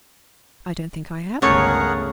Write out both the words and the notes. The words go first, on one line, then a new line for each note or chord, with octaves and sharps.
I don't think I have.
G1 C#2 C#3 A3 G#4 A#4 C#5 F#5